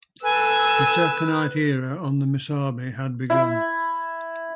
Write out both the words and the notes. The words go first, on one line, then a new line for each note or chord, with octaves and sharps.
The taconite era on the Missabe had begun.
A4 B4 G#5 E6
E4